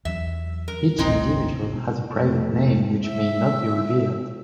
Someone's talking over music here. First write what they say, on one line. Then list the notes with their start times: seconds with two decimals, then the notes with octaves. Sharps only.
Each individual has a private name which may not be revealed.
0.05 E2 F#3 E5
0.68 A#4
0.98 G#1 D2 A2 G#3 C4 D#4
1.74 B2
2.13 F2 A3
3.08 E5